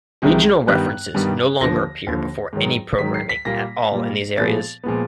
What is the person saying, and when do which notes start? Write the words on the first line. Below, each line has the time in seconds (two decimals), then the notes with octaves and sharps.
Regional references no longer appear before any programming at all in these areas.
0.22 C2 C3 D#3 G#3
0.68 G2 D#3 G3 B3 F#6
1.15 G2 D#3 G3 B3
1.60 D#2 D3 F3 A#6
2.07 D#2 D3 F3
2.53 G#2 D#3 F#3
2.99 G#2 D#3 F#3 B6
3.14 C7
3.29 B6
3.45 A#2 G3 A#3 A#6
3.92 A#2 G3 A#3
4.37 A#2 F3 G#3 B3 A6
4.84 A#2 F3 G#3 B3